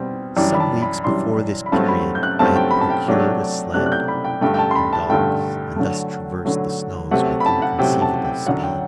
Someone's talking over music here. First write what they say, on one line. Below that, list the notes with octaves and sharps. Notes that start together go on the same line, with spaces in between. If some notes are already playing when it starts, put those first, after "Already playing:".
Some weeks before this period I had procured a sledge and dogs and thus traversed the snows with inconceivable speed.
Already playing: B2 G3 C4
F#2 E3 G3 D4 G5
B5
A5
B5
F#2 E3 G3 D4 C6
B5
G2 F#3 A3 C4 A5
B5
G6
F#6
G2 F#3 A3 C4 A5
G5
B5
A5
G5
C3 F#3 A3 D4
C3 F#3 A3 D4 F#6
F#6
G6
B5
G5
G2 D3 A3 G5
G5
A5
C6
B5
A5
G2 D3 A3 G5
D3 F#3 A3
D3 F#3 A3
C3 F#3 A3 F#5
B5
A5
F#5
C3 F#3 A3 G5
A5
G5
F#2 D3 F#3 F#5
G5